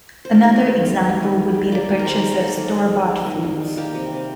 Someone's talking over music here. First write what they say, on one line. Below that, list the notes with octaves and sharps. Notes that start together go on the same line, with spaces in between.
Another example would be the purchase of store-bought foods.
C5
D#3 A#4
A3
D#3
A3
A#3
D#3
D#3
G3
A#3 D5
D#3
A#4
D#3 C5
G3 C5
A#3 A4
D#3
D#3
G3
A#3
D#3
D#3
G3
A#3 G4
C3
C3